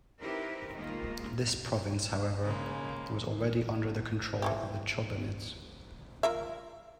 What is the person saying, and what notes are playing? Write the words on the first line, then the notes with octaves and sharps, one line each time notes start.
This province, however, was already under the control of the Chobanids.
C4 D#4 E4 G4 A#4 B4
D#3 G#3 A#3 D#4 F4
C#3 G#3 A#3
E3 F3 G4
F4 A#4 E5